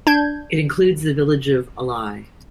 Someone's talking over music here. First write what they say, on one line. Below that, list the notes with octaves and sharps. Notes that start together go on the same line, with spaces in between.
It includes the village of Ely.
D4 G6 G#6